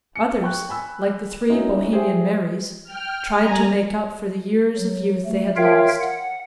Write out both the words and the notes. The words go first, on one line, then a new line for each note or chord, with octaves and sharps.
Others, like the three Bohemian Marys, tried to make up for the years of youth they had lost.
C#7
G5 C#6 F#6
G#5 B5 E6
C#4 D#4 E4 F#4
G3 G4 G#4 C5 E5
G5 F6
G3 G#5 A#5
F#3
A3
F4 A#4 C#5 E5 F5 G5
F#5